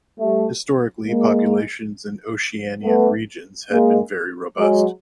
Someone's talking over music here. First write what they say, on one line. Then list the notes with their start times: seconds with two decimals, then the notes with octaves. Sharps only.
Historically, populations in Oceanian regions had been very robust.
0.19 G3 A3
1.07 G#3 A#3
2.83 A3 B3
3.71 G#3 A#3
4.58 F#3 G#3